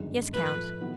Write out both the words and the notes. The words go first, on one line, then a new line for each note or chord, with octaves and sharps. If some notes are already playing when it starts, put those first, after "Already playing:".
"Yes, count."
Already playing: G1 F#2 D#3 G#3
A2 F3 A3 B4
D#3 F#3 B3 E4